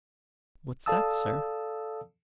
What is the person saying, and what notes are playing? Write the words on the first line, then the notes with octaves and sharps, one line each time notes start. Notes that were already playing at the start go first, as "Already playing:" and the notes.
"What's that, sir?"
A4 D5 F5 A5 D#6 E6